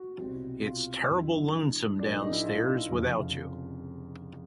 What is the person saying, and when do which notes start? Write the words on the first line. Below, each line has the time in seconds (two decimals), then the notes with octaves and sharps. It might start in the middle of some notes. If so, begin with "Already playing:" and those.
It’s terrible lonesome downstairs without you.
Already playing: F#4
0.18 C2 B2 G3 C4
0.64 F4
1.08 G1 G2 D3 F#3 E4
1.99 A#1 A#2 F#3 A#3 D4
2.22 D#4
2.32 E4
2.44 F4
2.89 F1 F2 C#3 F3